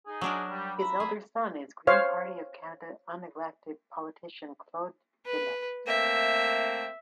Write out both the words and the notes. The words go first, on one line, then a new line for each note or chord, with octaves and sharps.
His elder son is Green Party of Canada unelected politician Claude Genest.
D#4 G#4
F#3 D4 A#4
G3
E5 A#5 B5
G#4
C5 C#5 F5
B4
A3 A#3 C4 E5